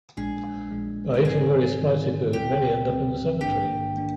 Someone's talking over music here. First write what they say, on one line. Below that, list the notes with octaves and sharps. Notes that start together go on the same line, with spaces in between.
By eating very spicy food, many end up in the cemetery.
A#1 A#2 G#3 D4 G#4
A#1 A#2 G#3 D4
A#4
G#2 D#3 G3 C4 D#4 G#4
G#2 D#3 G3 C4 D#4
D2 D3 G3 C4 G4
D2 D3 G3 C4
A#1 G#2 D#3 A#3 D4 G4
D#3 A#3 D4